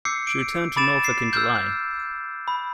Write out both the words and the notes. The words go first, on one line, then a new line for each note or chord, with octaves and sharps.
She returned to Norfolk in July.
D6 E6 G6 C7 C#7
D7
B5 D6 A6 D7 E7
C7
E6 F6 G6
B5